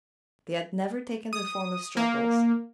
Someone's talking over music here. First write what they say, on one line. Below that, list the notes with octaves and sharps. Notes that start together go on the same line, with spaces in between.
They had never taken the form of struggles.
D#6
A#3